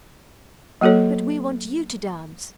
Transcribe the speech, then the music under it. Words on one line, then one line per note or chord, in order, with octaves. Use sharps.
'But we want you to dance.'
F#3 A#3 F#4 A4 C#5